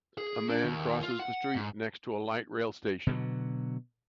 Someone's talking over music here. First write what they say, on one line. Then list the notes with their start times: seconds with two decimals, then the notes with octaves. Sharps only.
A man crosses the street next to a light rail station.
0.18 G#4
0.49 D4
0.64 D#2
1.03 F4
1.19 F#5
1.56 G#2
3.07 B2 D3 F#3